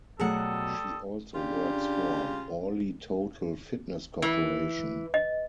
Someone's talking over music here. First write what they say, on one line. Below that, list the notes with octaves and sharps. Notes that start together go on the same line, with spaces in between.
She also works for Bally Total Fitness Corporation.
B2 F#3 G3 A3 G#4 A4 F#5 D#6
C#3 D4 F4 G4
E3
D#5